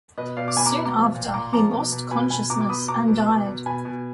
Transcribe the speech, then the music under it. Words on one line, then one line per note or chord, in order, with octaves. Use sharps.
Soon after, he lost consciousness and died.
B2 B4 D#5
B2 D5 F5
D6
B2 G#5 B5
A#5 D6
B2 B5
A#5 D6
F3
A#2
A#2 A#5 D6
F3 A#5 D6
B2
B2
B2 G#5 B5
B2 G#5 B5
B2 A#5 D6
D6
B2 B5 D#6
B2 A#5 D6
B2
B2
B2
B2 G#5 B5
B2